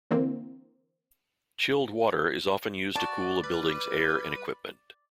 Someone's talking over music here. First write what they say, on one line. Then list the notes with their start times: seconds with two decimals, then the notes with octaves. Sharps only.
Chilled water is often used to cool a building's air and equipment.
0.11 D3 E3 A#3 C4
2.96 F#4 D5 A5
3.43 G3 B4